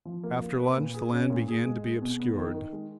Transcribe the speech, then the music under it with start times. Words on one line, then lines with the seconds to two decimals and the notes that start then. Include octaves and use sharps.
After lunch the land began to be obscured.
0.05 F3
0.23 A#3
0.41 A#3
0.59 B4
0.77 A#2
0.94 G#4
1.13 C#4
1.30 A#2
1.48 G#4
1.66 G#3
1.84 G#4
2.02 B2
2.20 B3
2.37 D#3
2.54 D#3
2.73 G#3